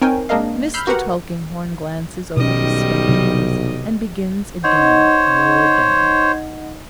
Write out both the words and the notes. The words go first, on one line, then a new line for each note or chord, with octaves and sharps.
Mr. Tulkinghorn glances over his spectacles and begins again lower down.
C4 D#4 A#4 C#5 G5 G#5
G#3 A#3 D4 A#4 D#5 F5
B5 E6 F6 G6 C7
F#4 G4 A#4 B4 F#5 A#5
B1 B2 D#3 G3 C#4 D#5
C3 F#3 D4
D#4 C5 C#5 D#5 F#5